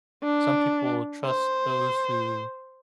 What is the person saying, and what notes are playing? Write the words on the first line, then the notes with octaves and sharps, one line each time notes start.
Some people trust those who
D4
C5